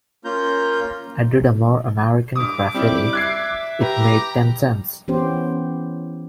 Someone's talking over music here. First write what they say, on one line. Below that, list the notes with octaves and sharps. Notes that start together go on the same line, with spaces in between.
I did a "More American Graffiti"; it made ten cents.
A#3 C#4 F4 A#5 G6
G2 D6 D#6
G3 C4 E4
E5 F#6 G#6 C7
G4 B4 A#5
E3 B3 C#4 G4 C5